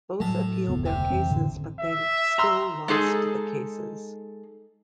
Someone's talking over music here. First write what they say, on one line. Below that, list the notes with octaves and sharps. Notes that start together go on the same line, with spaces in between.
Both appealed their cases but they still lost the cases.
A2 F#3 G3 A5
F1 D2 B3
C3
F2 E3 C4
A1 A2 D3
E5
A#5 C6 E6
G#3 D#4 G#4 A4